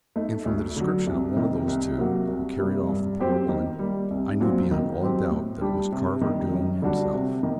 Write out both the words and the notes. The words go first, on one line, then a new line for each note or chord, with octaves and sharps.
And from the description of one of those two, who carried off the poor woman, I knew beyond all doubt that it was Carver Doone himself.
A3 D#4
D2
D3 F#3
C2
C3 D#3
C2
C3 F#3 A#3 F#4
C2
C3 G3 A#3
G2
F#3 C4 G4 C5
D#3
G3 A#3
C2
A#2 F#3 C4
D#3
F#3 C4 G4
A2
G3 D4 G4
C3
D#3 G3
F#2
D3 G3 D4 F#4
C3
D#3